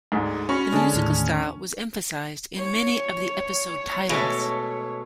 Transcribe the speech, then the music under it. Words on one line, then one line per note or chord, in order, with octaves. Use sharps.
The musical style was emphasized in many of the episode titles.
D2 G#2
C#4 F#4 B5 C#6
D3 G#3 A5
D#2 A2
C#5
B2 G#3 A3